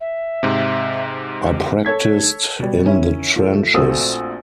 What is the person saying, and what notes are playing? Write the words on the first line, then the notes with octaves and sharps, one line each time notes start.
I practised in the trenches.
E5
G#2 C3
A4 C#5 G#6 B6
B2 G3
D#3 C#4 E4
F3 A3
A#1 A3 C4 F#4 D#6 E6